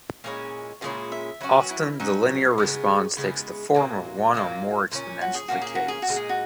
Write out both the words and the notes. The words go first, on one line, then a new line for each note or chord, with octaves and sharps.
Often the linear response takes the form of one or more exponential decays.
A#2 G#3 C#4 E4 C#5
A#2 G#3 C#4 E4 G#4
E5
F#3 C#4 F#4 B4
E4
F#3 C#4 D#4 F#4
C#3 G#3 B3
C#3 G#3 B3 E4
A#2 F#3 A#3
A#2 F#3 A#3
A#2 A#3 C#4
F#4
G#4
A#2 A#3 C#4 F#4
G#4
F#4
G#4
F#4
A#2 G#3 D#4
G#4
F#4